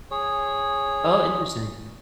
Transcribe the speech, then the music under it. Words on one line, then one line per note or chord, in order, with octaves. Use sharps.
Oh, interesting.
G#4 C#5